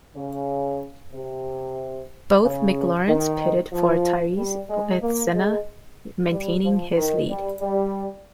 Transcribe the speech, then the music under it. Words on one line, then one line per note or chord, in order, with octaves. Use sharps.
Both McLarens pitted for tyres with Senna maintaining his lead.
C#3
C3
C#3
D#3
F3
G3
G#3
A#3
G#3
G3
F3
D#3
G3
G3